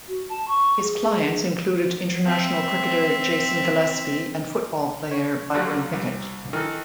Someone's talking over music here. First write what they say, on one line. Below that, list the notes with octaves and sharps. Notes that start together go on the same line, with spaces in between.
His clients included international cricketer Jason Gillespie and football player Byron Pickett.
F#4
A5
C#6
G#4
C4 E5
C#5
D#2 D3 F#3 A3
C2
D#3 E3 A4